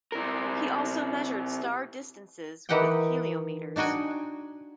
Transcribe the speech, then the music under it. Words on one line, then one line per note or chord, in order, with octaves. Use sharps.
He also measured star distances with heliometers.
C3 A#4
D#3 E3 D#4 G4 F#5 G5
D4 D#4 F#4 G5 G#5